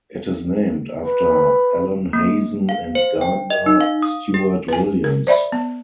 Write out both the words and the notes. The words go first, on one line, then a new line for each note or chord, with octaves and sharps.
It is named after Allen Hazen and Gardner Stewart Williams.
B4
A#3
F5
C5
G5
D#5
D#4
F5
D#6
G4
B4 G#5
A#4
C5 D5 E5 B5
B3